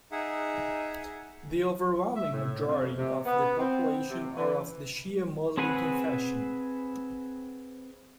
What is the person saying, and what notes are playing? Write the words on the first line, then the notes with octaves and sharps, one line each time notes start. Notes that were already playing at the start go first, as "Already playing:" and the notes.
The overwhelming majority of the population are of the Shia Muslim confession.
D#4 G#4 E5 F#5
E5
A2
F2
C3
B3
C4
C3
E3
C4 G#4 B4 F#5 G#5